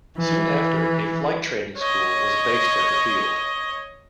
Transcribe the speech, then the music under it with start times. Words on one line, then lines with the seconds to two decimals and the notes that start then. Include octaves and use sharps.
Soon after, a flight training school was based at the field.
0.18 E3
1.78 C#5 D#5